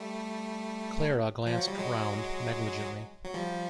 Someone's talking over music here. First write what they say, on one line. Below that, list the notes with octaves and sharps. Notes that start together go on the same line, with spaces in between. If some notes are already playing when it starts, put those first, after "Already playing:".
Clara glanced round negligently.
Already playing: G3 A3
F3
F#3
G3
F#3 G#3
F#3
F3 G3